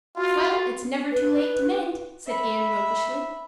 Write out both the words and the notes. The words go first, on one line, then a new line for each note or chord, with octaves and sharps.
"Well, it's never too late to mend," said Anne roguishly.
F4 F#4
B4
E5 B5